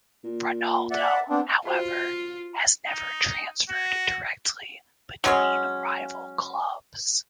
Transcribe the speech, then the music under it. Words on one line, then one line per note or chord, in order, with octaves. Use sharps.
Ronaldo, however, has never transferred directly between rival clubs.
A#2
D5 E5 F#5
B3 C4 D4
F4 F#4 C5 F5
D#4
F#4
F#3 G#3 C#4